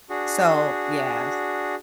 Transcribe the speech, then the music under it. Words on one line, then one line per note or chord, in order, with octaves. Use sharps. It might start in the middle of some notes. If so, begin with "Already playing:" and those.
So, yes.
D4 F#4 G#4